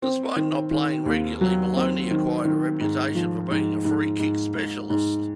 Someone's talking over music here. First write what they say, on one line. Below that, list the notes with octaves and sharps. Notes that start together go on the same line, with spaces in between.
Despite not playing regularly, Maloney acquired a reputation for being a free kick specialist.
C4
D#3
D#3
D#2
F#3
C4
D#3
D#3
G#2
F3
G#2
G#2
G#2
G#2
G#2